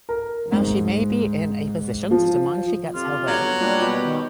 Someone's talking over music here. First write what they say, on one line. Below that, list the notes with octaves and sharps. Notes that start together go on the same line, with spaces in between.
Now she may be in a position to demand she gets her way.
A#4
G#2
F3
F2 F4 G4
G1 F#3
A#2 G3 D4
B2 G4
D#3